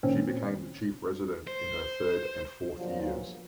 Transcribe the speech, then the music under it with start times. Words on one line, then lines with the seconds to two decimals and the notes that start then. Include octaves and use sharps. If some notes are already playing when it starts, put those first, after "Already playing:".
She became the Chief Resident in her third and fourth years.
0.03 A#2 D#3 C4 C#4
1.47 C5
2.77 G1 A#2 F3 F#3